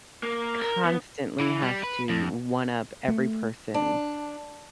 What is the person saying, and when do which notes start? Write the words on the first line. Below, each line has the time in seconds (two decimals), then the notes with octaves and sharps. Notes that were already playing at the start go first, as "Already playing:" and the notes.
constantly has to one up every person
0.23 A#3
0.62 A#4
0.85 B3
1.40 E3
1.62 G3
1.83 B4
2.09 F2
3.08 A3
3.74 D4